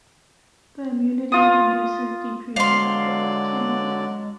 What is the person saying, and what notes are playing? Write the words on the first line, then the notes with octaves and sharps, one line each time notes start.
The immunity it induces decreases after about ten years.
F4 D#6
D3 F#3 G#3 D5 F5 C6